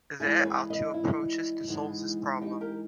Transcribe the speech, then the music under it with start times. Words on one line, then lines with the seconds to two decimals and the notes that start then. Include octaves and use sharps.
There are two approaches to solve this problem.
0.20 G2 E3 G#3 E4 G#4
0.39 C#5
0.44 G#4 B4
0.70 B4 D#5
0.94 E4
1.67 G#2 E3 G#3 B3
2.41 D#4 G4
2.61 G4 A#4